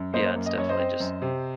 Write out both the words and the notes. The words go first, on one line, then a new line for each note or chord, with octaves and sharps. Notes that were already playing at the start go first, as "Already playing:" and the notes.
yeah, it's definitely just
Already playing: F#2
A#3 C5 D#5
F#2
D#5
F#2 C#5
C5 D#5
C4
F#2
C3